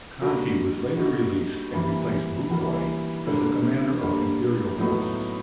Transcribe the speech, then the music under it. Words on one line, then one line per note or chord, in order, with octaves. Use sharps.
Conti was later released and replaced Bucquoy as a commander of Imperial forces.
D3 G3 A#3 D#4 F#4
D3 G3 A#3 D#4 F#4
E3 G3 A#3
E3 G3 A#3
D3 G3 A#3
D3 G3 A#3
A2 F#3 B3 D#4